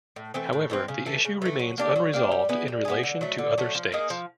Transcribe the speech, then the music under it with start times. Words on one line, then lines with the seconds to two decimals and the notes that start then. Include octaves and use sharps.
However, the issue remains unresolved in relation to other states.
0.16 A2
0.34 E3 A3 C4
0.53 A2
0.70 E3 A3 C4
0.88 C#3
1.06 E3 A3
1.25 C#3
1.42 E3 A3
1.59 F#3
1.78 A#3 D4 G4
1.96 F#3
2.13 A#3 D4 G4
2.32 G3
2.49 B3 E4 G#4
2.68 G3
2.85 B3 E4 G#4
3.03 D3
3.21 F#3 A3
3.38 D3
3.58 F#3 A3
3.75 F3
3.92 A#3 D#4 G#4
4.10 F3